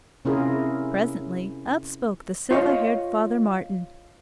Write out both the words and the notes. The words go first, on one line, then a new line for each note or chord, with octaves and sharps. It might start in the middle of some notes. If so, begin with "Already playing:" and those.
Presently up spoke the silver-haired Father Martin.
C3 C#4 E4 F4 G#4 A#4
F4 C5 C#5 D#5 F5